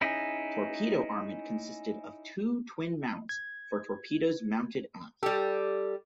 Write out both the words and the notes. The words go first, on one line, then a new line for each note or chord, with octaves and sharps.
Torpedo armament consisted of two twin mounts for torpedoes mounted aft.
C#4 D#4 E4 G#4
G#6
G3 G4 A4